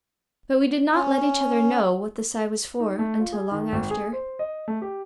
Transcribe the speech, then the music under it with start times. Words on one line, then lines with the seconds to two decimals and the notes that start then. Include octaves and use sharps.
But we did not let each other know what the sigh was for, until long after.
0.94 C#4
2.80 D#4
2.99 A3
3.20 F4
3.32 G#4
3.51 D#3
3.72 G#1
3.90 G#4
4.13 C5
4.39 D#5
4.68 A3
4.82 G4